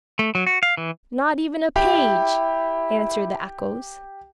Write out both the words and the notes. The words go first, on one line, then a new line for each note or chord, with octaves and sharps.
'Not even a page!' answered the echoes.
A3
F#3
F#4
F5
E3
E4 G4